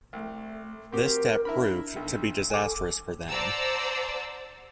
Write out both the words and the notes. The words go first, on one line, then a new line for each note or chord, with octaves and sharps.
This step proved to be disastrous for them.
C2 A3
C4 F#4 G4 A#4
D4 E4 A#4 B5
B1
A4 G#5 D6
C5 D5 F#5 A5 A#5 E6